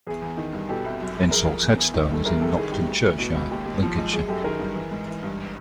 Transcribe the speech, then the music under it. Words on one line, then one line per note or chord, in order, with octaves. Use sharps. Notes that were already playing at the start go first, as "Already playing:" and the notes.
Insall's headstone is in Nocton Churchyard, Lincolnshire.
E2 G#4
E2
D#3
G2
B2 G4 A4
C2
F#2
F#2
F2 G#4 A#4
F2
E2
E2
D#3
G2 A4
C2 G#4 A#4
C2 G4 A4
D#3 G#4
G2 G4
D2
D2
B2
C#2
D#2 G4
D#2
F3
G#2
F#2 G#4
F#2 G4 A4
D#3 G#4 A#4
G2
E3
G#2
E3
G2